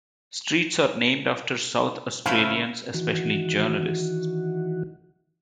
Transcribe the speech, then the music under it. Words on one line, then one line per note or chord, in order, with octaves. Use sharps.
Streets are named after South Australians, especially journalists.
C#3 A3 E4 C5 F5
D#3 E3 F#4